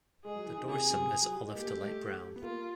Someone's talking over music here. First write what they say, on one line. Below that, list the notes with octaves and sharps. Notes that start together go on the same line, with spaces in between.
The dorsum is olive to light brown.
G#3 G#4
F#3
E3
D#3
C3 G#4
C3
F#3
G3
G#3
A#3 G4
A3
G#3
A3
B3
A#3 F4